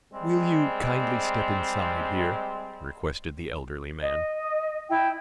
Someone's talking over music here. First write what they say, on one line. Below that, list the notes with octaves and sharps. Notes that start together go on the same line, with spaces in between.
"Will you kindly step inside here?" requested the elderly man.
G3 G#3 C4
D#5
E4 G5